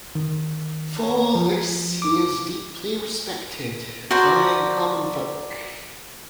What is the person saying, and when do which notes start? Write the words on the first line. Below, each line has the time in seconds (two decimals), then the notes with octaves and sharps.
For this he is deeply respected by the common folk.
0.15 D#3
1.03 C#5
1.35 F3
2.02 D6
4.11 F#4 A#4 C5 D5